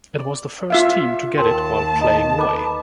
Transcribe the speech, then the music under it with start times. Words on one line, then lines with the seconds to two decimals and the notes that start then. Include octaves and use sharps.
It was the first team to get it while playing away.
0.18 D5
0.70 F4 E5 F5
1.38 D#2 A#4 G5 A5 C6
2.01 D#4
2.39 A4 B4 D6